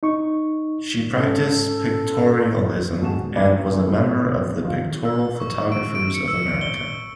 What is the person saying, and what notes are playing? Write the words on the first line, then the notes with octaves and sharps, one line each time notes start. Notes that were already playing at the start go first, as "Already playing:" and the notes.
She practiced Pictorialism and was a member of the Pictorial Photographers of America.
D#4 C#6
G#2 C#4 A4
E1 G#2 F#4 F#5 A5 E7
A#1 F#2 D5 B5 D6 C#7
A2 C3
C4
C3 D#3 F#3 A3 F4
E6
C#6
D7
D7
C#7
E6
G7